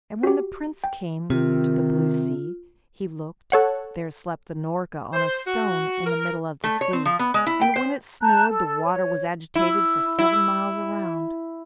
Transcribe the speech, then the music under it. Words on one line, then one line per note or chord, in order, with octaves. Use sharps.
And when the Prince came to the blue sea, he looked--there slept the Norka on a stone in the middle of the sea; and when it snored, the water was agitated for seven miles around.
F#4 G4
G5
C3 D#3 F4
A4 C#5 F#5
C5
F#4
A#4
A3
C#5
C4
F3
B3
G#3
E4
G5
C5
A5 A#5 F#6 G6
A4
C#5
E4
E4